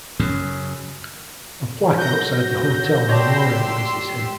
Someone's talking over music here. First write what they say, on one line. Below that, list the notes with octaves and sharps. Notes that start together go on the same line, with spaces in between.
A plaque outside the hotel memorializes him.
F#2 C#3
F#3 F#4 G6 A#6
G4 C#5 D5 A5 C6 E6